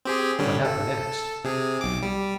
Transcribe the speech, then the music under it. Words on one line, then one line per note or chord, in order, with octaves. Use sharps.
"What happened next?"
C4 G4 G#4
D3 G3 C#4
A4
C3 G#4
B1 D6
G3